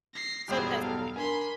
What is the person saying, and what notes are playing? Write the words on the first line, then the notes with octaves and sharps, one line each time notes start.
Sometimes they do.
A#6 C7
E1 A1 G2 F4 G4 G#4 C5 F5
B1 A4 F5 A#5
D4 A#4 G#5 B5 C6